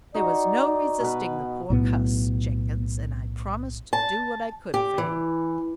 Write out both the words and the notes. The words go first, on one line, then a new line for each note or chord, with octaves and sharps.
"There was no resisting the poor cuss, Jenkins, and I promised to do what I could for him."
D#4 F#4 D5
B2 B4
B1 A2 B3
A5
G4
E3